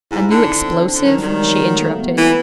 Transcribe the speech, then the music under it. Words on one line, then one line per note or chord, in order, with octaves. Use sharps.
'A new explosive?' she interrupted.
G#2 E4
D#4
D3 D4
C4
C4
D3
D#3 F#3
G3
D#3
G#3
F#3
A3
A#3
B3
E3